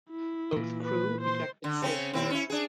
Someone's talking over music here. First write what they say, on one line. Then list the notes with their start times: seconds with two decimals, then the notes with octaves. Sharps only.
Both crew ejected safely.
0.10 E4
0.53 A#2 E3
0.83 B4
1.21 C5 C6
1.64 D3
1.82 C#3 C4 C#4
2.13 D#2 C4 E4
2.30 C#4 E4
2.50 D4 G#4